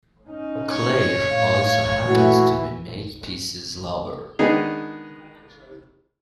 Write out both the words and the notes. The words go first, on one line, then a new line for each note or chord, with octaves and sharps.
Claire also happens to be Makepeace's lover.
C#4 D#4
C#5
A2 F5
A#2 E3 A3 F#4
D#3 G#3 B3 D4 D#4 G#4